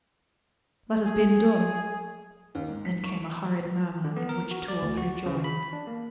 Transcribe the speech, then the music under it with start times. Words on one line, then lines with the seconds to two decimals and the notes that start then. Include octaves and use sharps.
'That has been done.' Then came a hurried murmur, in which two or three joined.
1.06 G#4
2.55 D#2
2.69 G#2
2.85 B6
3.04 C#6
4.04 D3
4.16 B3
4.29 A#4
4.51 F#4
4.68 D5
4.82 D2
4.97 F#4
5.26 C#3
5.44 B5
5.73 D4
5.87 A#3